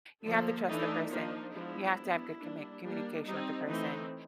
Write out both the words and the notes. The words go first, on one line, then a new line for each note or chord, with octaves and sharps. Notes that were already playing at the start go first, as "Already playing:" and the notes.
You have to trust the person. You have to have good commit communication with the person,
D3 F3 A#3 A4
E3 A3 D4 D#4
F3 A#3 D4 D#4
F3 G#3 B3 D4 E4
G3 B3 D4
G3 A#3 D4
G3 A#3 D4
G3 C4 D#4
E3 A3 C4 D#4